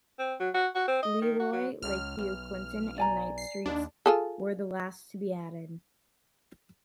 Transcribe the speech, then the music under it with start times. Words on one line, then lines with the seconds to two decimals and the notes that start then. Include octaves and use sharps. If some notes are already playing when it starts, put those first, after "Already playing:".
LeRoy, Lake View, Clinton and Knight Streets were the last to be added.
0.19 C4
0.40 F#3
0.54 F#4
0.75 F#4
0.88 C4
1.03 D#5
1.22 D#3
1.40 F#4
1.53 F#3
1.82 C#2 F6
2.16 B1
2.98 D5 G#5 A#5
3.38 C7
3.66 D#2 D4
4.06 F4 G#4 A4